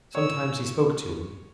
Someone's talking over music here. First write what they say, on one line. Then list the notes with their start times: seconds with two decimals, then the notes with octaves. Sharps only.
Sometimes he spoke to him.
0.15 C#5 E6